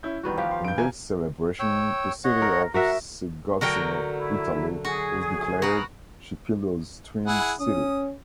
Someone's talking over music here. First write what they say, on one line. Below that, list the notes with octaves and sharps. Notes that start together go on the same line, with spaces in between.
In this celebration the city of Segusino, Italy, was declared Chipilo's Twin city.
C#4 E4 G6
C2 D#3 E3 B3 F#4
F3 G4 F5
C6
G2 G6 D7
E3 G#5 A#5 G#6
C#5 G5 E6
C#5 D#5 F#5
A#4
F#4 A#4 E5 F#5 A#5
D3 F#3 A3 F#4 A#4 G5
E4
F#4 G#4
F#4 A#4 B4
E4 G#4 F#5
C#4 D#6